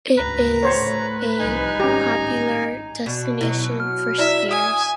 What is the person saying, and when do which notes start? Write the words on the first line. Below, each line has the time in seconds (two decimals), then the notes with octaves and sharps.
It is a popular destination for skiers.
0.18 D2 G#2 C#3 B4 A#5
0.63 A2 A3 C5 C#5
1.39 C2 F3 G3 D#4 G#5
1.80 G#1 A2 C#4 G4 A#5
3.06 B2 D4
3.41 B2 F3 F#3 E4
3.80 F6
4.18 E4 D5 E5
4.51 G#5 D#6